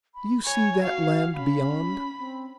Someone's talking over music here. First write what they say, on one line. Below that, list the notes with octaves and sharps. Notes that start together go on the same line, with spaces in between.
Do you see that land beyond?'
B5
C#5 G#5
F#4 F5
C#4 B5
C4